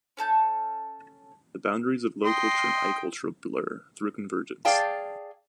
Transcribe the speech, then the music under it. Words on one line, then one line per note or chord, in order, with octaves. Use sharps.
The boundaries of low culture and high culture blur, through convergence.
C#4 A4 A5 G6
D#5 G5 C6
G#4 D5 F5 G5 A5